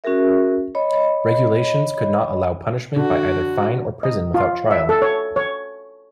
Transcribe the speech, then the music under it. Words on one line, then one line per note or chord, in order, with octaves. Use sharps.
Regulations could not allow punishment by either fine or prison without trial.
C#4 F#4 G#4 A#4 E5
C#5 D#5 B5
D3 F#4
D#5
F4
E5
A4
C#5
C#5